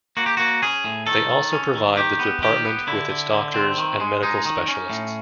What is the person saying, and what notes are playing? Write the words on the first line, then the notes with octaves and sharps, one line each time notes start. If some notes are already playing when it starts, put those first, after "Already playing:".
They also provide the Department with its doctors and medical specialists.
A#3 F#4
G4
A#3 F#4
C#4 G#4
A2
D#3 A4
D#3
C#4
D#3
D#3 G4
B3
D#3 G4
B3
D3 E4
D3
D3
C4
D#3
G#3
G#3 D#4
D#3
C#4
A2